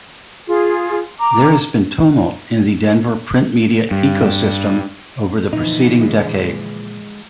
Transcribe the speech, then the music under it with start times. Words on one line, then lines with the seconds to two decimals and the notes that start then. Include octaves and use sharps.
There has been tumult in the Denver print media ecosystem over the preceding decade.
0.48 F4 G#4
1.18 A#5 D6
3.91 G2
5.53 A#2 D3 E3 F3 D#4
6.01 G#3